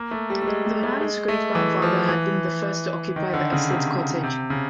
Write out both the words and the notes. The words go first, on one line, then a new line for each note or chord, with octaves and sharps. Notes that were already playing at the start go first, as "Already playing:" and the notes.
The man's great-grandfather had been the first to occupy the estate cottage.
Already playing: A#3
A3
G3
A3
G#3
G3
A3
G#3
A3
E3
F3
E3
D#3
D3
C#3
C3
C3
C#3